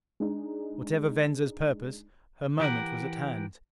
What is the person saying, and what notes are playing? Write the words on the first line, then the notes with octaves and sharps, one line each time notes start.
Whatever Venza's purpose, her moment was at hand.
G#3 D4 D#4
E3 G4 A#4 F#5